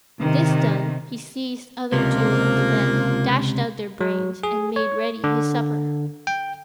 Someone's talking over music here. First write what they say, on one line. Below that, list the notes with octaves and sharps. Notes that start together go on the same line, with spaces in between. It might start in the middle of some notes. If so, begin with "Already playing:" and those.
This done, he seized other two of the men, dashed out their brains, and made ready his supper.
C3 D#3
C#2 C3 F3 A#3
F#3
G#4
C#5
D3
G5